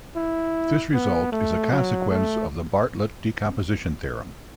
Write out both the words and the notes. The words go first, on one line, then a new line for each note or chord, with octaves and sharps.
This result is a consequence of the Bartlett decomposition theorem.
E4
B3
A3
F#3
A3